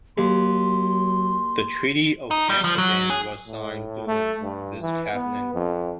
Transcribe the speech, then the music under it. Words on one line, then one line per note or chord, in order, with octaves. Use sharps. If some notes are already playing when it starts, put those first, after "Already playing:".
The Treaty of Amsterdam was signed during this cabinet.
D#2 F#3 C6
D#4
G3
F3
F#3
G#4
A2
A3
G2
E3
B3
F2